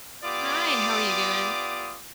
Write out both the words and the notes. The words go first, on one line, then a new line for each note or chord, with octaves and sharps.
Hi, how are you doing?
B3 F4 G4 D5 D6 D#6